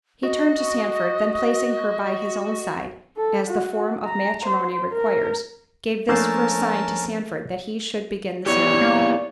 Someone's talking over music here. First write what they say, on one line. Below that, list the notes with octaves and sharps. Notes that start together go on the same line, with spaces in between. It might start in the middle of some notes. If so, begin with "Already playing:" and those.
He turned to Sandford--then placing her by his own side, as the form of matrimony requires, gave this for a sign to Sandford that he should begin the ceremony.
F#4 D#5
A4
F#4
A#5
C5
A#4
F3 A3 A#3 C#4 D4 A#4 C5 A5
B3 E4 G4 C#5 D5
A#3